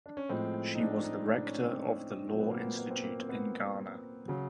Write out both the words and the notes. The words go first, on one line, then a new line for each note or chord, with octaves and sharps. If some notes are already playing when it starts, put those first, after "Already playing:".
She was the rector of the Law Institute in Ghana.
D4
C#4
A2 F3 G#3 C4
D#4
D4
D#4
D4
C#4
C4
A#2 F#3 C4
B3
A#3
B3
B3
C4
A#3
C4
B3
C#3 F#3